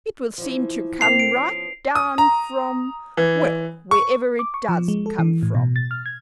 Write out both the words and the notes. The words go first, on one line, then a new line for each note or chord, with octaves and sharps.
"It will seem to come right down from--well, wherever it does come from."
E3 F3
B2 A#3 C4 C7 F7
D7
F3 B3 C#4
D#6
A#5
E3
C#6
D6
C#6
F3
G#3
A4
E3
A2
B2
A6
F6
G#6